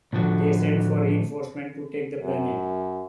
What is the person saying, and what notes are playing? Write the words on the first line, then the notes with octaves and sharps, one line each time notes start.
They send for reinforcements to take the planet.
A2 D3 F3 F#4
F#2